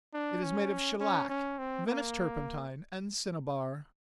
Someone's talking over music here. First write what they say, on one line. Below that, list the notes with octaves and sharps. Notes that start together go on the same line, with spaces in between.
It is made of shellac, Venice turpentine and cinnabar.
D4
C#4
C#4
C#4
C4
A#3